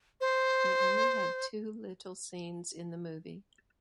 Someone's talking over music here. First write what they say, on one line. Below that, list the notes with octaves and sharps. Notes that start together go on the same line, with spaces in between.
They only had two little scenes in the movie.
C5